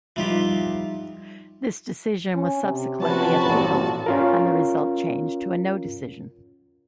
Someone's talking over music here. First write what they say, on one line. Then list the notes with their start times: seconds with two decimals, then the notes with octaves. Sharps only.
This decision was subsequently appealed and the result changed to a No Decision.
0.16 E3 F3 G3 D#4 F4 G4
2.35 C#4
2.63 C3
3.03 F3 C#4 F#4 B4 A5
3.45 A1 G2 A#2
4.06 C#4 F4 A#4